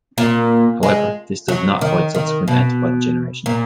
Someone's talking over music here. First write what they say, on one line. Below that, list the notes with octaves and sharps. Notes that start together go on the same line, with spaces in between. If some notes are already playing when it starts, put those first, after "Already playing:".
However, this does not avoid subsequent antibody generation.
A#2
G#3
F#3
D#3
D#3
B2
A#2